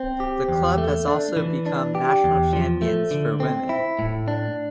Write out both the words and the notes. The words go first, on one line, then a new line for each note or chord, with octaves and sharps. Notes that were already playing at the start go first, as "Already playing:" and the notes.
The club has also become national champions for women.
Already playing: C4
G4
E2
A3
D4
E3
D4
G4
E2
F3
A3
D3
C4
E4
A2
D4